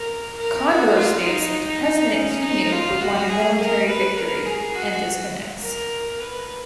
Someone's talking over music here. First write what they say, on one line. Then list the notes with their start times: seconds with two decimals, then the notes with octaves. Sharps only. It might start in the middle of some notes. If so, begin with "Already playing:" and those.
Condor states that the President he knew would want a military victory, and disconnects.
Already playing: A#4
0.39 A#4
0.68 F#4
0.97 F4
1.26 D#4
2.13 C#4
2.43 D#4
2.72 F4
3.01 F#4
3.29 G#4
3.59 A#4
3.88 B4
4.17 A#4
4.46 G#4
4.75 F#4
5.62 A#4
6.20 B4